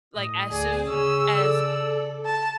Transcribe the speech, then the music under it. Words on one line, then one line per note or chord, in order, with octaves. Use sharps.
like, as soon as
A2 D#5
D2 G#4 D5
C#3 C#4 G#4 E6
A4 D5
A5